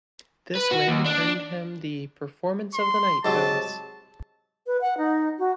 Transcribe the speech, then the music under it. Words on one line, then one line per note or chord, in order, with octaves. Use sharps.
This win earned him the "Performance of the Night" bonus.
B4
F#4
D#2
D4
C6
G#2 C3 F#3 A5
B4
F#5
D#4
F#4